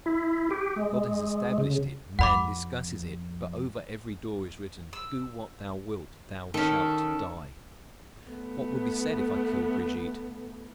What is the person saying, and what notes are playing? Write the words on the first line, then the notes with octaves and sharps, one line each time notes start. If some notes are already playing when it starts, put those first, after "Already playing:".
God has established it, man discusses it; but over every door is written: 'Do what thou wilt, thou shalt die.' What will be said if I kill Brigitte?
E4
G4
G#3
C#3
F2 F#5 B5 D6
E6
D#3 C#4 A4
A3 B3